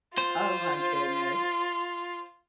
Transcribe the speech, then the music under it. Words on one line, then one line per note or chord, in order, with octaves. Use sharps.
Oh my goodness.
F4 C5